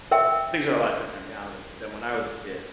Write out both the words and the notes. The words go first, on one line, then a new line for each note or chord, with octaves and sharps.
Things are a lot different now than than when I was a kid,
A#4 E5 G5